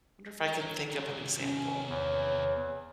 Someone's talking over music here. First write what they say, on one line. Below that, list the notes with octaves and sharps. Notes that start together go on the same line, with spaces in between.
Wonder if I can think of an example.
C#5 A#5
C3 D#3
C#4
E2 C#5